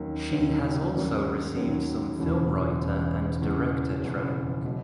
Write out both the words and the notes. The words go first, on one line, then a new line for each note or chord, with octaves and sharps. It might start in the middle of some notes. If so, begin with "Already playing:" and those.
She has also received some film writer and director training.
Already playing: D#2 D#3 F#3 A#3 C#4
D#2 D#3 F#3 A#3 C#4
D#2 D#3 F#3 A#3 C#4
D#2 D#3 F#3 A#3 C#4
E1 E2 C#3 E3
E1 E2 C#3 E3
E1 E2 C#3 E3
E1 E2 C#3 E3
B2 F#3